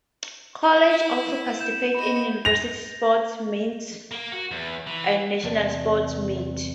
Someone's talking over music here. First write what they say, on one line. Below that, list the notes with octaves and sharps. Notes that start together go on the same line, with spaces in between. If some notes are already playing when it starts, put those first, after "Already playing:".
College also participate in University Sports Meets and National Sports Meet.
E4
G6 E7
F#4 D#5 B5
A#6 F7
A#3
F#4
E2
E3
E2 C3 D5 A5